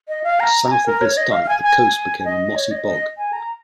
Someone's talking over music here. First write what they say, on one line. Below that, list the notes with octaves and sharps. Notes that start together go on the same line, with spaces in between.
South of this dike, the coast became a mossy bog.
D#5
F5
A#5
G#5
A#4
C#5
D#5
F5
F5
G#5
G#5
G#5
D#5
C#5
D#5
D#5
G#5
A#5